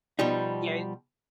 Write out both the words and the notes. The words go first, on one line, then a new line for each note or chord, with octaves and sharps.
Yeah, i
B2 F3 G3 D#4